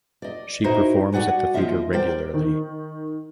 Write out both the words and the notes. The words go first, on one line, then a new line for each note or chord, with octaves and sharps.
She performs at the theater regularly.
D5 D#5
D#4 E4 F#4 A#4 C5 D#5
F#4 G#4 D5 F#5 G#5
D#2 C3 F3 F4 D#5 E5
A#4 C5 D5 G5
D#3